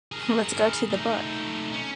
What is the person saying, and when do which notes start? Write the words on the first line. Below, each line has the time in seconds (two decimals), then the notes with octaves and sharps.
Let's go to the book.
0.12 G#4 A#4
0.91 A3 D#4
1.72 C#4